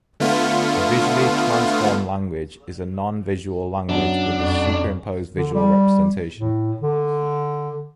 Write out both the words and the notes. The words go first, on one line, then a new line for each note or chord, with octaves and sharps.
A visually transformed language is a non-visual language with a superimposed visual representation.
D3 A3 B3 F4
F#2 B2 D4 D5 F#5
F2
D3
G3
A2
D3